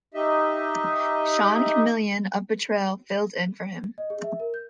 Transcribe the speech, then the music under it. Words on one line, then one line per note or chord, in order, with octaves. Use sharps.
Sean Chamilian of Betrayal filled in for him.
D#4 G4 D#5 E5
D#5
G#4
E5
A#4
G6